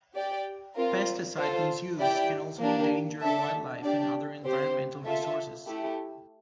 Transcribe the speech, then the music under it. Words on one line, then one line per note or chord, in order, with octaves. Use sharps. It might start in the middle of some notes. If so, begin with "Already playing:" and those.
Pesticide misuse can also endanger wildlife and other environmental resources.
G4 D5 G5
C4 F4 A#4
F4 A4 C5
E4 G4 D5 G5
A#3 D4 G4
D4 A4 E5 A5
D4 G4 D5
C4 G4 C5
F4 A4 E5
A3 E4 G4